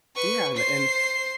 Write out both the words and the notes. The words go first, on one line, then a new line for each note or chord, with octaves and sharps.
Yeah, an and
B4 C#6
C5 C7